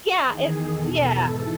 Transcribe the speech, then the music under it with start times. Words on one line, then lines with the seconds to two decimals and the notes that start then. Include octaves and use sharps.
Yeah, it yeah,
0.24 E2 D#3 G#4
0.71 E2 B2 A4
1.19 G#2 E3